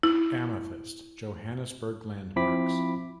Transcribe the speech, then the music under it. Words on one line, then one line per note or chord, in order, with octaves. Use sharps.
Amethyst: Johannesburg Landmarks.
E4
F3 C4 E4 B5 D6 B6